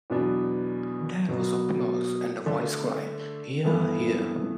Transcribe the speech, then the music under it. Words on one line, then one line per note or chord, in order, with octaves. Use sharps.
There was applause, and a voice cried: "Hear, hear!"
E2 B2 F#3 B3 D4
B2 F#3 B3
D3 A3 D4 A4
G2 E3 B3 E4 A4